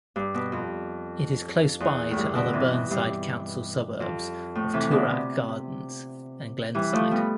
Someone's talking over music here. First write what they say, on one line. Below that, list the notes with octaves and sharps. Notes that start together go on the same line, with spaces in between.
It is close by to other Burnside council suburbs of Toorak Gardens and Glenside.
G2
B2
F2
E2
A2
G2
B2 D3
C3 E3
B2
G2
F2
A2
C3 E3
B2 D3
C3
E3 G3
F3 A3
G3 B3